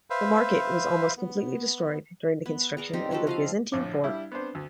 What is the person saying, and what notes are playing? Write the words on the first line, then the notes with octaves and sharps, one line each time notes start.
The market was almost completely destroyed during the construction of the Byzantine fort.
B4 C5 E5 F5
B3
B3
G#4 A#4 D5
C4 D#4 G4
F3 F#4 G4 A4
F3 D#5 F5
A#1 A2 D3 D6
G3 D4 E4
B3 C4 D4 C5
D2